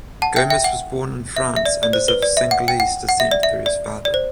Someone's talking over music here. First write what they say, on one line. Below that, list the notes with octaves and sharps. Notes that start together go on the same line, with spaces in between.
Gomis was born in France and is of Senegalese descent through his father.
F#5 A5
E5 G5
E5 G5
F#5
E5
E5
D5
D5
C5
B4
D5
E5
F#5
G5
F#5
F#5
E5
D5
E5
D5
D5
C5